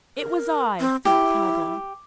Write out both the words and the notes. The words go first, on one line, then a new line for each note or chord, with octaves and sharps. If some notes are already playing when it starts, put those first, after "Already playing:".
"It was I," said the cowboy.
A#4
C4
E4 G4